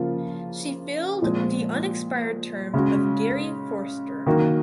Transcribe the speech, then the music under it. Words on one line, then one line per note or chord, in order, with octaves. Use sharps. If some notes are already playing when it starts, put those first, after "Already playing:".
She filled the unexpired term of Garey Forster.
Already playing: C#3 F3 A#3 F4
A#2 F3 G#3 C4
C#3 G#3 C#4 F#4
D#3 F#3 A#3 D#4 F#4